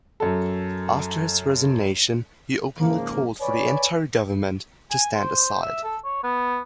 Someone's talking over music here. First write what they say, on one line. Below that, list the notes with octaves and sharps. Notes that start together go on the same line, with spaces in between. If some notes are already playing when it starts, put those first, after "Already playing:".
After his resignation, he openly called for the entire government to stand aside.
F#2 A4
G#2 C#3 F3 A#3
B4 C#5 D5 G#5 B5
G#5
C5
E5
A4
C#5
B3